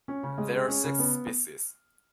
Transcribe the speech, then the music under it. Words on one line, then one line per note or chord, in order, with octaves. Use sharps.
There are six species.
C#4
C#3
G#3
G#4
C#4
C#3
B3